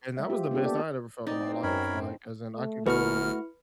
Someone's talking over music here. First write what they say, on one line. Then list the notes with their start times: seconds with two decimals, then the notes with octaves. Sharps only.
and that was the best I had ever felt in my life, like, 'cause then I could go,
0.17 G#3 E5
0.30 F4 G4 C5
0.51 B3 D4 G4
0.63 A#3 A4 D5
1.27 B2 C4 D#4 D5
1.63 F#2 A#4 C#5 B5
2.55 A3
2.86 G1 A3 E4 F#4 B4 F6